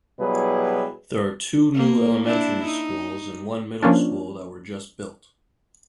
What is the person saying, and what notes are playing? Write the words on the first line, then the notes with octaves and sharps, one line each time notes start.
There are two new elementary schools and one middle school that were just built.
B2 F#3 G3 E4 G#4 B4
A#3
D4 E4
D#4
F3 A#3 C#4 D4